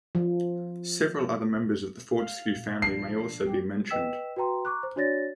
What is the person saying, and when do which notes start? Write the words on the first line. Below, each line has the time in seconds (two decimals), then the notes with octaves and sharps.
Several other members of the Fortescue family may also be mentioned.
0.15 F3
2.19 F5
2.56 A#2
2.82 D3 F3 D4 C7
3.44 G3 G4 G#4
3.89 B4 D#5 G5 E6 B6 E7
4.36 F#4 B4 G5 A#5 C6
4.65 A#5 C#6 D6 F#6
4.83 C5
4.96 D4 F#4 C#5 D5 A6 A#6